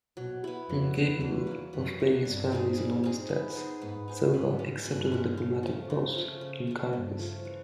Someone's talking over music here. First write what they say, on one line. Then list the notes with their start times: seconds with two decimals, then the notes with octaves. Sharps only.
Incapable of paying his family's enormous debts, Silva accepted a diplomatic post in Caracas.
0.17 B2 F#3
0.44 B3 E4
0.69 F2 F#3
0.96 B3 E4
1.21 E2 B2
1.47 F#3 A#3
1.73 F#2 B2
2.00 F#3 A#3
2.25 G2 G3
2.52 C4 D#4 G#4
2.78 G3
3.04 C4 D#4 G#4
3.29 B3
3.55 D#4 G#4 C5
3.81 G#2 B3
4.08 D#4 G#4 C5
4.33 G#2 B2
4.59 G#3 C#4
4.85 G2 B2
5.12 G#3 C#4
5.38 C#3
5.63 F3 A3
5.90 C#3
6.15 F3 A3
6.41 C#3
6.67 F3 A3
6.93 G2 C#3
7.19 F3 A3
7.45 E3